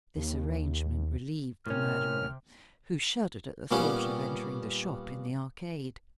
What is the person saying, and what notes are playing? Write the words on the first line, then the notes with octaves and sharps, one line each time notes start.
This arrangement relieved the murderer, who shuddered at the thought of entering the shop in the arcade.
D#2
A2 C3 C#4 A#4 F6
A#2 G3 B3 C#4